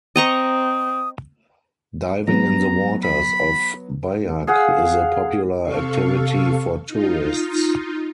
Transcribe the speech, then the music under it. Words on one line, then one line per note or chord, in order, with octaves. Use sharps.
Diving in the waters off Biak is a popular activity for tourists.
C4 D#5 A#5 C#6 D#6
F#3 B3 A#5
B5
G#4 F5 F#5
C3 A4 F5 C#6
D#4 F4